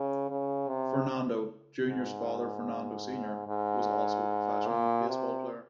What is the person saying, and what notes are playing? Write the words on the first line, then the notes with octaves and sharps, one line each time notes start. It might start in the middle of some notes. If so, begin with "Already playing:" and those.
Fernando, Junior's father, Fernando, Senior was also a professional baseball player.
Already playing: C#3
C#3
C3
G#2
G#2
A#2
C3